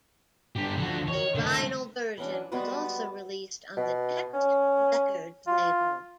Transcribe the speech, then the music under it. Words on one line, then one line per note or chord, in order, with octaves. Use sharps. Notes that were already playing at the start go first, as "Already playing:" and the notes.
A vinyl version was also released on the Text Records label.
G2 D3 G4
D3 F3 F#4
D#3 C#5
D3 A3
E3 F#3 C#4 D4
G3 G#3 B3 F#4 B4
B2
C#4
F4